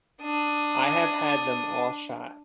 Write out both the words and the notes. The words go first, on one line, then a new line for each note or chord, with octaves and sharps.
I have had them all shot.
D4 D#6